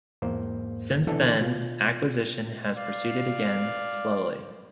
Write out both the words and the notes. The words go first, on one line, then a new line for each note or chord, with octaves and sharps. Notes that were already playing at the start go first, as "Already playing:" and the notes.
Since then, acquisition has proceeded again slowly.
E2 G#2 A#3 C5
B2 D3 E3 D4 A4
B2 F4
D5 F5